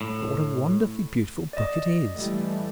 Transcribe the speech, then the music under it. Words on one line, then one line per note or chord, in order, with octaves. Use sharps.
But what a wonderfully beautiful book it is!
A2
D5 D#5
E3 G3 A3